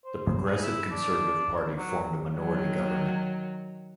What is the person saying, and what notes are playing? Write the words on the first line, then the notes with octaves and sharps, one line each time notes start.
The Progressive Conservative Party formed a minority government.
C5
G#4
E4
D4
F#3
D#3 F#3